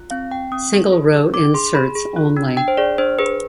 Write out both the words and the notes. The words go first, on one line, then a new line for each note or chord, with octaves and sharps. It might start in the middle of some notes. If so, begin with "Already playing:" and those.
Single row inserts only.
Already playing: F4
C4 F5
C4 G5
C4 D#6
G#4
G#4
G#4
D4 D6
G#4 C6
G#4 B5
G#4
F4
D4
D4 G5
C5
G#4 D5
D4 C5
G#4 B4